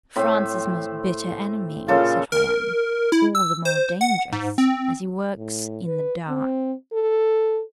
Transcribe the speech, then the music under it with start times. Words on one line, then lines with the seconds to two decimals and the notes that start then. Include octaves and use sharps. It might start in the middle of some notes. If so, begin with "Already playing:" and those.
"France's most bitter enemy, citoyenne . . . all the more dangerous, as he works in the dark."
0.16 A2 C4 B5
1.88 A#2 C#3 F4 A4
2.32 A#4
3.12 E4
3.35 E6
3.65 C5
4.01 F#5
4.32 G#2
4.58 C4
5.37 A2
5.87 B4
6.28 C4
6.93 A4